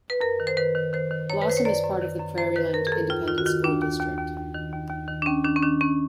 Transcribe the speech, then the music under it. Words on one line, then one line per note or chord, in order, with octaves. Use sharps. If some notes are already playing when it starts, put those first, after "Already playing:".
Blossom is part of the Prairiland Independent School District.
B4
F#2 A#4
D#3
C5
D#3 B4
D#3
D#3 C5
D#3
F#2 C#5
B4
D#3 C5
C#5
F#2 D5
F#2
D#3
F#2
F#2 C5
D#3 B4
F#2 A#4
G#4
F#2 A4
D#2 F4
D#3 F4
F#4
D#3 F4
D#2 D4
D#2
D#2
D#2
D#2
D#3
D#2
D#2
D#3
D4
D#2 C#4
D#3 D4
C#4
D#3 D4
D#3 C#4